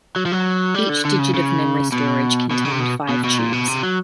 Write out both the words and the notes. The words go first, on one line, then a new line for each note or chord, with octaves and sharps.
Each digit of memory storage contained five tubes.
F#3
F3
F#3
G3
D3
D3
C#3
C#3
B2
B2
C#3
C3
B2
B2
B2
A#2
B2
C3
F#3